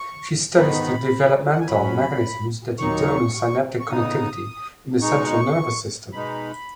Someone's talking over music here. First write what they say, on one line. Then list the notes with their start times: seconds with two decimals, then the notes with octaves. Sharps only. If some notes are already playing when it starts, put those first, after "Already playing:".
She studies the developmental mechanisms that determine synaptic connectivity in the central nervous system.
Already playing: C#6
0.56 G#2 D#3 B3 D#4 B5
1.52 F#5
1.60 G#5
1.67 F#2 F#3 C#4 B5
2.79 D#2 D#3 F#3 D#4 C#6
3.80 C#6
3.90 C#3 B3 D#4 D#6
5.01 B2 G#3 D#4 C#6
6.13 B2 G#3 D#4 B5